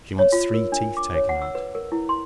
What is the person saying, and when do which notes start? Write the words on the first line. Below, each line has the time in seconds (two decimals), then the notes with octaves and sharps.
She wants three teeth taken out.
0.19 C#5
0.32 F4
0.54 A#4
0.72 D4
0.97 D6
1.14 C#5
1.29 F#5
1.42 E6
1.55 B4
1.75 A#4
1.92 E4
2.09 C6